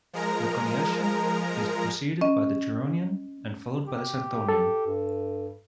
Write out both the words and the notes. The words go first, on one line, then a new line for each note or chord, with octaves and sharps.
The Coniacian is preceded by the Turonian and followed by the Santonian.
F3 G#3 A#4 A#5
C#4 D#5
G4
A4
G2